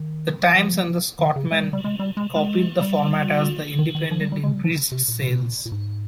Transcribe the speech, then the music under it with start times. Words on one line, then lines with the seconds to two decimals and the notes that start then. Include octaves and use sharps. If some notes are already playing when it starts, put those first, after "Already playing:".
"The Times" and "The Scotsman" copied the format as "The Independent" increased sales.
Already playing: D#3
0.55 F3
1.19 D#3
1.36 C#3
1.52 G#3
1.62 G3
1.73 G3
1.84 G#3
1.99 G3
2.17 G#3
2.36 G#3
2.81 G3
3.79 D#3
3.95 D#3
4.11 F3
4.21 G3
4.32 G3
4.43 G#3
4.54 G3
4.64 F3
4.92 C3
5.08 A#2
5.65 A#2
5.72 G#2